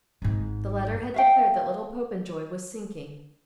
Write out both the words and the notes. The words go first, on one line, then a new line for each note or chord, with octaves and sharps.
The letter had declared that little Popenjoy was sinking.
G#1 G#2
E5 F5 G5